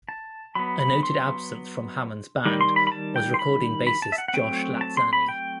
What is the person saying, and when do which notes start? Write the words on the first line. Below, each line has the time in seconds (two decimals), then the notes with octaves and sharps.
A noted absence from Hammond's band was recording bassist Josh Latzanni.
0.09 A5
0.55 F#3 B3 B5
0.79 B5
1.03 C6
2.45 D#3 G3
2.61 C6
2.76 B5
2.87 B5
2.92 A5
3.16 G5
3.34 C6
3.39 B5
3.87 B5
4.02 A5
4.12 E5
4.18 F#5
4.28 F#5
4.34 F#3 A3 C4 G5
4.81 A5
4.97 C6
5.13 B5
5.29 G5